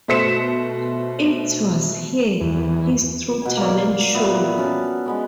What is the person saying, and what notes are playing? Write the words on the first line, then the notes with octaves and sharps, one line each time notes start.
It was here his true talent shone.
B2 A3 C5 B6 C#7 E7
E2
B2 G#5
A#3 D5
A#2 B3 E5
C#4 F#4 A5
G#3 B3 C#4